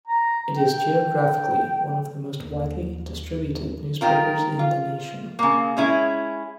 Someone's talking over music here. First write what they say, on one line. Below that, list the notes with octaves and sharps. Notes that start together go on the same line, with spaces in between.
It is geographically one of the most widely distributed newspapers in the nation.
A#5
G5
D#2
D#3 F4 A#4
F4
C#3 A#3
G#3 C#4 E4